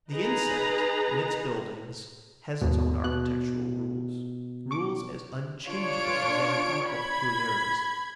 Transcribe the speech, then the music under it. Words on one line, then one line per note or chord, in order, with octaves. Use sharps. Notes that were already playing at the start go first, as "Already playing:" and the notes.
The insect, in its buildings, has its own architectural rules, rules as unchangeable as anatomical peculiarities.
D#4 G#4 B4 A#5
D#2 G#2 B2
B2 F#6
C#6 D6
D4 F4 C#5 D7
B5 G#6